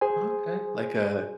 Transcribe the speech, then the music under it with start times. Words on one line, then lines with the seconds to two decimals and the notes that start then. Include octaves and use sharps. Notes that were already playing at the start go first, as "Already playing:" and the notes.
Okay, like a
0.01 G#4 C5 G#5